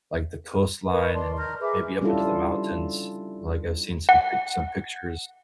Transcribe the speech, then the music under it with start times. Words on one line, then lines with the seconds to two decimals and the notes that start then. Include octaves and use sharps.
like, the coastline and then maybe up into the mountains, like, I've seen some pic some pictures.
0.90 A#4 B4 D#5 C#6
1.14 D5 A5 C6
1.37 A#5 F6 G6
1.61 G#4 B4 E5 D6
2.01 G3 C#4 D4 E4 F4 A4
4.09 F#5